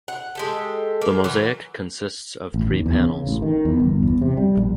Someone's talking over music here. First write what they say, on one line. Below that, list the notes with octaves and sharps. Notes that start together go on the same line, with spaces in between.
The mosaic consists of three panels.
F#5
G#3 G4 A4
A#3
E3 F#3
A1
D#2
E2
C#3
A1
D#3
E2
G1
E2
C3
G3
A#1